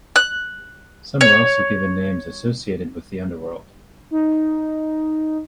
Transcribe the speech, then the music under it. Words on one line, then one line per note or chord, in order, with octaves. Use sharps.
Some were also given names associated with the underworld.
F#6
C#5
D#4